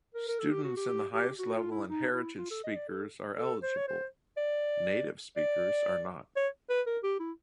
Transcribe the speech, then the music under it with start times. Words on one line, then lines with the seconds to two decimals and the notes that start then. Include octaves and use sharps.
Students in the highest level and heritage speakers are eligible; native speakers are not.
0.15 A#4
0.28 A#4
0.39 A4
0.51 G4
0.64 F#4
0.77 G4
0.88 G4
1.13 G4
1.39 F#4
1.55 F4
1.71 E4
1.88 D#4
2.13 E4
2.38 F4
2.51 A4
2.64 D#5
2.75 D5
2.88 A4
3.38 A4
3.62 C5
3.77 C#5
3.88 C5
4.37 D5
5.37 D5
6.36 C#5
6.70 B4
6.86 A#4
7.03 G4
7.19 E4